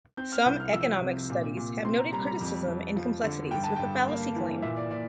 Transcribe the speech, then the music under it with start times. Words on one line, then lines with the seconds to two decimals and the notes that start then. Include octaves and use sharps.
Some economics studies have noted criticism and complexities with the fallacy claim.
0.17 C4 G6
0.32 F6
0.46 C2 G6
0.60 F6
0.73 F3 E6
1.01 C3
1.30 A#2
1.57 A#2
1.84 C4 C6
1.98 A#5
2.13 G3 A#5
2.26 A#5
2.41 F2
2.68 F2
2.96 F3
3.23 D3
3.51 G2 G5
3.64 A5
3.76 G2 G5
4.08 A#3
4.35 E3
4.62 A#2 E5
4.77 D5
4.91 A#2 D5